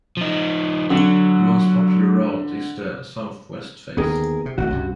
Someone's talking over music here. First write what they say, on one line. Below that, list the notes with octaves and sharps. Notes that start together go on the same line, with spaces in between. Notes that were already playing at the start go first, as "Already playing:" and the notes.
The most popular route is the southwest face.
F3 D#4
D3 F#3
D#2 D3 B3 G#4 A#4
C3
G#1 C3 A3 F#4
C#2 G2 C3